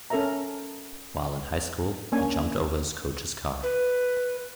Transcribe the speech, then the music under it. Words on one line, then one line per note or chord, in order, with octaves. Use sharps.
While in high school, he jumped over his coach's car.
C#4 A4 A#4 C#5 E5 A#5
A#3 C#4 D4 G#5
B4